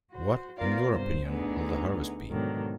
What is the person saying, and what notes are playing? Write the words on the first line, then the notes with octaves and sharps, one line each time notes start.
What, in your opinion, will the harvest be?
F#4 C5
B3 F4 A#4 C5 D5 F5
G2 C3 C5
D2 D3 B3 D#4 G#4
G#2 B2 D3 D#3 F#3